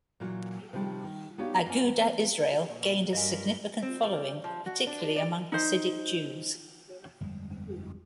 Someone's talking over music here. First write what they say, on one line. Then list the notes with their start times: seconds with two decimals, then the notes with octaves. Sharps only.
Agudath Israel gained a significant following, particularly among Hasidic Jews.
0.20 A#2 E3 F#3 A#3
0.73 C3 D#3 F3 G3
1.04 D#3
1.38 B3 D#4 G4 C#5 D5 F5
1.65 A#3 B3 C#4 D5 G#5
1.84 E3 B3
2.68 A#2
3.13 G2 A#4 D#5 F5 G#5 B5
3.82 C4
4.03 G3
4.44 F3
4.66 F#4
4.87 D4
5.16 D5
5.52 D#4 C5
7.21 G1 F2 G3 G#3